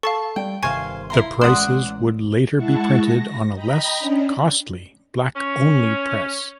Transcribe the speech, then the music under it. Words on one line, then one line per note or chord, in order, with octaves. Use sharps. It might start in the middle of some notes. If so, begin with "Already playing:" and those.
The prices would later be printed on a less costly black-only press.
A4 F5 A5 C#6
G3 G5
G1 C3 D#3 C5 F5 G#5 C#6 G#6
E4 A#5 C6
A1 G#3 D5 F#5 A#5 C6 D#6 E7
G#3 E4 F#5 A5 C#6
A#6
D#5 G5 A#5 B5
C#4 D4
C#4